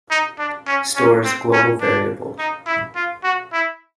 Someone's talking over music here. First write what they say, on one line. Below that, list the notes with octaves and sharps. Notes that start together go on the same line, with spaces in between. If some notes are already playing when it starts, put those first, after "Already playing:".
Stores global variables.
D#4
D4
C#4
C#4
C4
C#4
D4
D#4
E4
F4
F#4
E4